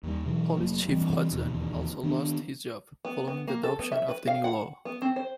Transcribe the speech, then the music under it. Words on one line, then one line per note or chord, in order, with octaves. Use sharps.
Police Chief Hudson also lost his job, following the adoption of the new law.
D#2 G3
B2 E3 F#3
F1 F#3 A#3
E3 G3 C4
E1 D#2 G#2 B2
D#3 B3 D4
B3
B3
A#3
A4
B3
E5
B4
F5
F#5
B3
C4
C5